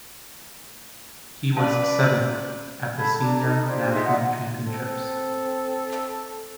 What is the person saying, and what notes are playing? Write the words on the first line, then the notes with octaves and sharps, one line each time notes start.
He was seventh at the senior national championships.
C#4 B4 D5 F5 A5
A4 A5 B5 G#6
D4 A5 A#5
D#4 A4
D4 F4 G4 C5
D#4 G#4 E5 C6
D5 E5 F#5
C4 A4